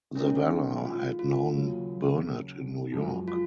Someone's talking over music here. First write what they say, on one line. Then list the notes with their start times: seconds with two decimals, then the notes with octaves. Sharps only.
Zavala had known Burnet in New York.
0.16 D#3 G#3 C#4 D#4 A#4
0.85 F4
1.19 F4
1.54 D#2 C#3 F#3 C#4
2.92 F#2 F3 G#3
3.28 F4